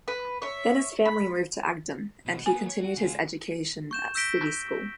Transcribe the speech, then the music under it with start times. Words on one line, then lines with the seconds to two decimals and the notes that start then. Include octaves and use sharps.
Then his family moved to Agdam and he continued his education at city school.
0.08 B4
0.42 C#5 E5
1.05 B5
2.26 B2
2.46 A#3 B3 G#5
2.67 C#5
2.80 F#4
2.97 C#3 G#3
3.91 C#6 G6 E7
4.15 E6 G6 A#6 B6 D7 G7